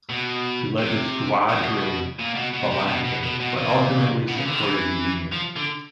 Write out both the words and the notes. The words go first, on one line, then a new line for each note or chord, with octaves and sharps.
He led the Squadrone Volante, but ultimately supported the Union.
B2
C3
B2
A#2
B2
B2
C3
B2
B2
B2
B2
A#2
B2
C#3
D3
D#3
E3
F3
D3